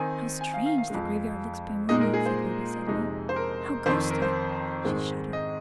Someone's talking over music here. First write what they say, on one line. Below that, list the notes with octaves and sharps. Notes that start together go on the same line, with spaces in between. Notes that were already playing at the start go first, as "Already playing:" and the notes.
"How strange the graveyard looks by moonlight!" said Ruby suddenly. "How ghostly!" she shuddered.
Already playing: D#3 C4 D#4 G#5
G#5
F5
F5
F5
F2 F3 G#3
A#2 G#3 D#4 D#5
A#4
G#4
C5
F2 C3 G#3 D#4
C5
A#4
F2 D#3 C4 C5
A#4
C5
G#2 D#3 G#3 C4
D#5